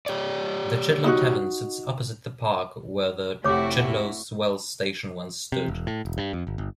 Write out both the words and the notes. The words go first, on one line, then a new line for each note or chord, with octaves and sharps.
The Chidlow Tavern sits opposite the park where the Chidlow's Wells Station once stood.
G4 C#5 D5
D#4 E4 F#4
F1 A3 E4 F#4 G4 C#5 D6
C3
E1
A2
E1
G2
F2
G1
G1